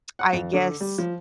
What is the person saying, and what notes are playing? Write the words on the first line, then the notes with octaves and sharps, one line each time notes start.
I guess,
F#5
F2
D3
G3
F3